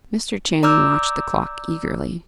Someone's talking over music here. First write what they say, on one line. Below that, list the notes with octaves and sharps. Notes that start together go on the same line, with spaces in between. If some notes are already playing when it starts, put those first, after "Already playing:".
Mr. Channing watched the clock eagerly.
D5 A#5 D6 E6 F6 G6